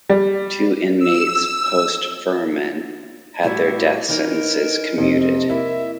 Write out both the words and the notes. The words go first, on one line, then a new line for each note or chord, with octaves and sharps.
Two inmates post-"Furman" had their death sentences commuted.
G3
E6
A2 G3 E4 F#4
E3 D#4 A#4
F2 C3 D#5
A#3 E4 E5